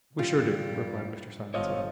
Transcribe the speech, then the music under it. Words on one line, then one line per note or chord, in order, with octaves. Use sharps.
"We sure do," replied Mr. Simonson.
G2 G3 F4
G1 F3 C#5 D#5 F5